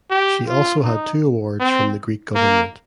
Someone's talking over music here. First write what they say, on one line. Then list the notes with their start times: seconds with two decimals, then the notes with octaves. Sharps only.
She also had two awards from the Greek government.
0.10 G4
0.47 F4
0.85 D#4
1.60 C4
2.35 A#3